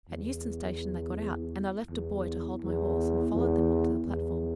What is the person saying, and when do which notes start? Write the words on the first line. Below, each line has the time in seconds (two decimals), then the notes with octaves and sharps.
At Euston Station they got out, and I left a boy to hold my horse, and followed them on to the platform.
0.09 E2
1.90 E2
2.62 E2
3.34 E2
4.06 E2